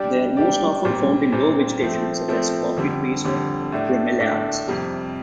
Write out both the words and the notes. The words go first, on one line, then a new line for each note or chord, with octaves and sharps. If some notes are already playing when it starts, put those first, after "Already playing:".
They are most often found in low vegetation such as coffee trees or bromeliads.
Already playing: G3 D4 G4 D5
G3 D4 G4 D5
A#2 G3 C4
A#2 G3 C4
F3 A3 C4
F3 A3 C4
F2 D3 G3
F2 D3 G3
A2 A3 D4
A2 A3 D4
F2 C3 G3